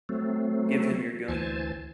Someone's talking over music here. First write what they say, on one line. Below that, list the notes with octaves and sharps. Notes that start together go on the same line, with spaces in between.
Give him your gun.
F#3 A3 C4
D2 E3 C5 G#5 A5